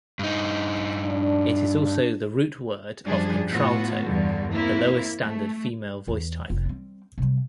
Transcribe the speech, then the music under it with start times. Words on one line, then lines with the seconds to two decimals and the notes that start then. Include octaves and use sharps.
It is also the root word of contralto, the lowest standard female voice type.
0.19 G2 D#4
1.05 D4
3.05 F#2 F3 G3 D4 G#4
3.50 A2 B3 F4 F#4
4.06 E2 G2 D3 G3
4.52 A#3 C4 E4
5.22 A3
6.08 E2
6.50 F1
6.66 G3 C4
7.18 C3 G3